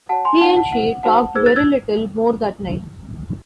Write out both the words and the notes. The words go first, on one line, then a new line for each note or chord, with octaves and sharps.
He and she talked very little more that night.
F#4 C#5 F#5 A5
G#5 C6
D#4 F#4 C#5 F#5 A5
F#5 A5
E4 C5 F#5
D#4 F#4 C5 F#5 A5
D#4 G#4 C5 E6 G#6
F#6 A6
E6 G#6